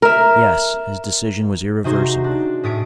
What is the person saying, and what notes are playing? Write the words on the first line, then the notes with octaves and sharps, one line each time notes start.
Yes: his decision was irreversible.
A#4 E5
C3 D#4 F#4 G#4 C5
D4
A2 G#4 D#6 A6 B6 D7